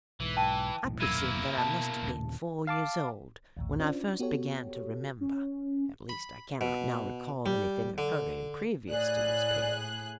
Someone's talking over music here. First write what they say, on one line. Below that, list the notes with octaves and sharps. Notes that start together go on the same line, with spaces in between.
I presume that I must have been four years old when I first began to remember; at least, I cannot now recall anything occurring previous to this period.
B1 G#2 E3
G5 A5 D#7
B1 E2 A2
D#1 B1 F#2 A#3 E4 E6 G#6 D#7
B2 A5
D#2 A#2 C#3
F5 A5 D6
A#1 D#2 A2
C#4 D4 F4 C5 D5
B3 F#4 G4 A4 C#5
C#4
B5
B2
G3
D3
A2 G#4 D5 F#6